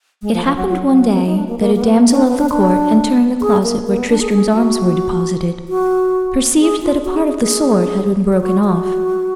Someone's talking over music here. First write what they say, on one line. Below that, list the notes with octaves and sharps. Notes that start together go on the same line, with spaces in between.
It happened one day that a damsel of the court, entering the closet where Tristram's arms were deposited, perceived that a part of the sword had been broken off.
G#3
F3
F3
F#3
F#3
F#3
F3
D#4
D4
A#3
A#3
A#3
B3
B3
D4
B3
D4
D4
G#4
A#3
A#3
B3
D4
G#4
G#4
F#4
F#4
G#4
F4
F#4
G#4
G#4
G#4
G#4
F#4
F#4